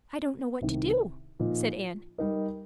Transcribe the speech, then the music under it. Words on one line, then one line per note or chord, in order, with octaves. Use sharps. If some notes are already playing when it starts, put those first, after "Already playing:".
"I don't know what to do," said Anne.
C2 C3 D#3
A#2 F3 D#4
G3 D#4 A#4 D#5